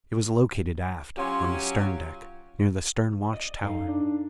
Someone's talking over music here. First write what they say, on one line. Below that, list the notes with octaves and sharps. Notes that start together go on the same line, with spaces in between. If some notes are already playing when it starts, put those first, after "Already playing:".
It was located aft, on the stern deck, near the stern watch tower.
F#3 C#4 F4 G4
D5 D#5
F#2 D#4 A4 F5
D4